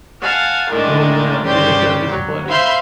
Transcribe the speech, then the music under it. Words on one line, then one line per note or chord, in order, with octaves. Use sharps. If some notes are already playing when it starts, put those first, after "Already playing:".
Oh, yeah, yes, that was funny.
F5 F#5 G#5 A5
A2 D#3 G#3 A3 D4
G2 C#3 G4 C5 D5 G6
F#3
C5 E5 F5 B5 C6 G6